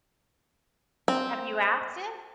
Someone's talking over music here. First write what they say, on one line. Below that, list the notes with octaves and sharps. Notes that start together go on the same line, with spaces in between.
Have you asked him?
C4